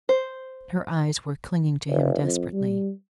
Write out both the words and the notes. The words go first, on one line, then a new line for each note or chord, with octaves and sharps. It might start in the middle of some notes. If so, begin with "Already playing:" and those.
Her eyes were clinging to him desperately.
C5
F1
F2
G3